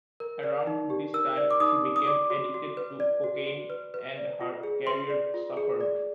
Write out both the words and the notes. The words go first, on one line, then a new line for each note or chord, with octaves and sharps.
Around this time she became addicted to cocaine and her career suffered.
A#4
D5
D#4
G4
A#4 E6
D5
D6
D#4 D#6
G4
D#6
D5 D6
F#4
F#4
B4
D5
F#4
F#4
B4
B4
D5
F4
G#4
B4 C6
D5
F4
G#4
D5